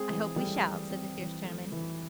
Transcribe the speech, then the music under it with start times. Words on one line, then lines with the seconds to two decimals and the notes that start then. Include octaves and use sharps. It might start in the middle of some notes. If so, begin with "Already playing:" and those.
'I hope we shall,' said the fierce gentleman.
Already playing: G#3 C4 G#4
0.09 E3
0.36 G3 A3 G4
0.63 E3
0.90 C4
1.18 E3
1.44 A3
1.72 E3